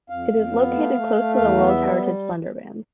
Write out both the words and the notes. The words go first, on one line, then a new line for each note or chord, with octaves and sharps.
It is located close to the World Heritage Sunderbans.
F2 F5
F2
B3
A3
A3
A3
E2 F5
B3
E5
G3